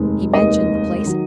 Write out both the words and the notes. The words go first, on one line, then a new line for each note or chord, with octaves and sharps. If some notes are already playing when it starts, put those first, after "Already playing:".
He mentioned the placing.
Already playing: F1 D#2 D#3 G#3
F1 D#2 D#3 G#3 D#5
D#3 F#3